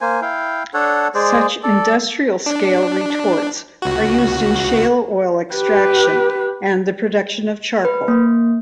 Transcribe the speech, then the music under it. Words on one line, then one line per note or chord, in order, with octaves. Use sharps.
Such industrial-scale retorts are used in shale oil extraction and the production of charcoal.
A#3 C5 G#5
E4 F5 G5
D4 A4 C#5 F#5
G#3 G#4 C5 D5
A4 D5
D4
C#2 F#4
G4 B4
B4
A#3